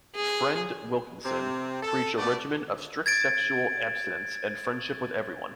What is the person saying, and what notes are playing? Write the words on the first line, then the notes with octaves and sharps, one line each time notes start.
"Friend" Wilkinson preached a regimen of strict sexual abstinence, and friendship with everyone.
G#4
C3 C4
A4
A3 B3 D5
G#6 A6 D7